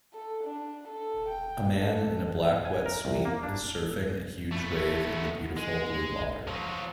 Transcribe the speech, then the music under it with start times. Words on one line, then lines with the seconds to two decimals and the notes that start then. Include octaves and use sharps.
A man in a black wet suite is surfing a huge wave in the beautiful blue water.
0.14 A4
0.44 D4
0.88 A4
1.29 G5
1.74 A4
2.65 G#5
2.86 A#4
3.05 C2
3.25 A#3
3.43 D4
4.52 A3 B3
5.57 G#3
6.47 F3 F#3